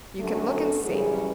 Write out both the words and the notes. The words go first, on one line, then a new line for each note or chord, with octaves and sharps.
"You can look and see."
F#2 D3 F#3 A3
A4
F#2 C#3 E3 G3 G#4